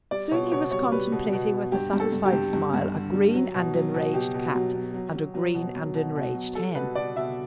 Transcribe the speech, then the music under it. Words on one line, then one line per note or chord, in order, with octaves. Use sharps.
Soon he was contemplating with a satisfied smile a green and enraged cat and a green and enraged hen.
G3 D5
B2 C#5
B2 C#5
G3 C#5
G3 B4
B2
B2
B2
G2 G4
G2
A4
G2
G4
G2
G2
G2
D3
G3
F#3
B2
F#3
B2
B2 G4
B2
F#3
F#3
F#3
F#3
F#3
B2
F#3
B2
B2
F#3
G3 A4
B2 B4
B2 D5
B2 E5